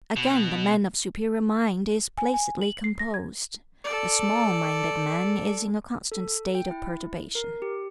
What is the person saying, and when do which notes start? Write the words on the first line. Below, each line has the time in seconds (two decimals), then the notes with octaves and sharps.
Again, "The man of superior mind is placidly composed; the small-minded man is in a constant state of perturbation."
0.16 B2
2.18 G#5
2.34 G#5
2.61 F#7
2.84 C7
2.99 A#6
3.14 G#6
3.84 A4 D5
6.12 A4
6.55 G5
6.71 E4
7.35 A#4
7.62 G4